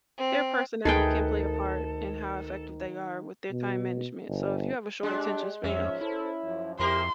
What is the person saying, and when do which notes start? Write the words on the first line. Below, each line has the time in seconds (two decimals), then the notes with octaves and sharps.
Their personality can play a part in how effective they are with their time management. So if you have a short attention span,
0.18 C4
0.85 D2 D#3 G#4 A4 B4 G5
3.51 B2
4.28 G1
5.03 G#3 D4 G4 D5
5.64 F2 G#2 F3 C#4 E5
6.01 E4 A4 C5
6.44 F#2 F3
6.79 F2 E4 G4 A#4 C5 C6